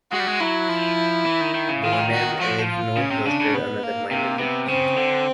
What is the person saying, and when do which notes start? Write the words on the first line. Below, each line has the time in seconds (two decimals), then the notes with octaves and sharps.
Bonham has not hosted another minor league team.
0.12 G#3 F#4
0.20 G3
0.27 G#3
0.40 F#3 E4
0.69 F3
1.26 E3
1.41 D#3
1.54 D#3
1.69 C#3
1.82 D#3 F4
1.92 E3
2.01 D#3
2.12 F#4
2.40 F3 F#4
2.59 F3
2.69 F4
2.97 C#3 C#4
3.11 C3
3.25 C#3 D4
3.40 C#3
3.54 B3
3.83 A#3
4.10 C3 A#3
4.39 C3 B3
4.68 C#3 C4
4.96 D3